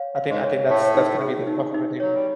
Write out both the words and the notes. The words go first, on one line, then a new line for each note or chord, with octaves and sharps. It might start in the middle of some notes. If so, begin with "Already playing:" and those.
I think I think that's that's gonna be the tough one with you.
Already playing: C#5 F5
F5
G#2 G#3
C#5
A2 A3 C#5
D#4
G#4
D#4
D#4
F#3 C#5
G3